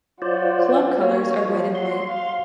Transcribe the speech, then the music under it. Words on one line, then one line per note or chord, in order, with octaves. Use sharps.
Club colours are red and white.
F#3 F4 C5 D5
A#3 C#5
F3
F#3 C6
F5